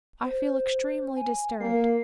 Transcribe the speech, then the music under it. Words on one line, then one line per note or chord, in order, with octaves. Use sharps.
I feel extremely disturbed.
C5
G#5
A#3 C7